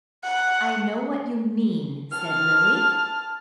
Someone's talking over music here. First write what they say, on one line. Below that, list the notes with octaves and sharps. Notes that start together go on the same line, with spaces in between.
"I know what you mean," said Lily.
F#5
A5 F6